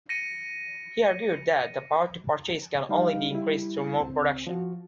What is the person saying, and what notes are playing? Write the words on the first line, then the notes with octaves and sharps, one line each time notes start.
He argued that the power to purchase can only be increased through more production.
A#6 C#7 D#7
G3 D#4 F5
G3 E4
C#2 C4
F3 F#4